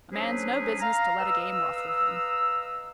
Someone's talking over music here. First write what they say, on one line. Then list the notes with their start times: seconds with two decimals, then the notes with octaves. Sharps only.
"A man's no business to let a game ruffle him."
0.12 F#3 C#4 D4 G#4 B4 C5
0.80 F5 A#5
1.19 B4 D#5 F5 A#5 E6